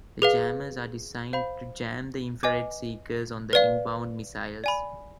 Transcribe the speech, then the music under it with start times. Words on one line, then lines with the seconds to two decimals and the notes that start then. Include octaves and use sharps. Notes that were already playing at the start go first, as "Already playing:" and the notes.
The jammers are designed to jam the infra-red seekers on the inbound missiles.
0.22 G#4 B4 F5
1.33 C5 F5 B5
2.43 B4 D#5 G#5 D6
3.53 B4 D5 F5
4.64 D5 G#5 B5